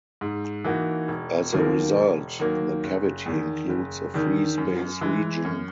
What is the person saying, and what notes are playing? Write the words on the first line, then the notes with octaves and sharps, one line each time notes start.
As a result, the cavity includes a free-space region.
G#2
E3 A#3 D#4 F#4
E1
D#2 D#3 F#3 A#3
E1
D#2 D#3 F#3 A#3
F#1
E2 D#3
F#1
E2 D#3
F#2
E3 G#3
F#2